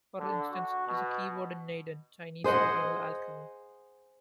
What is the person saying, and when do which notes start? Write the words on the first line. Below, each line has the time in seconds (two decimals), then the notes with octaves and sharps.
For instance, it is a keyword in "Neidan" "Chinese internal alchemy".
0.20 D3
0.51 F#4
0.87 B2
2.44 G#4 C5 D#5 F#5